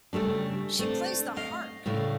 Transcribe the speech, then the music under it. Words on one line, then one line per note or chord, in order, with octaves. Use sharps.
She plays the harp
C#3 G3 A3 D4
A3 C4 D4
D#5 F5
A2 C#3 A3 D4